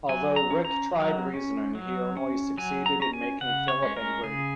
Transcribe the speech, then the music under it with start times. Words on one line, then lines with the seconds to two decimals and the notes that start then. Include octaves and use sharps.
Although Rick tried reasoning, he only succeeded in making Phillip angry.
0.09 F#3 G#5
0.36 A#5
0.51 C#4
0.65 A#5
0.92 F#3
1.33 C#4
1.75 F#3
2.17 C#4
2.58 F#3 G#5
2.86 A#5
3.00 C#4 A#5
3.13 G#5
3.41 C#3 F#5
3.68 C#5
3.83 G#3 C#4
3.96 A#4
4.23 C#3 G#4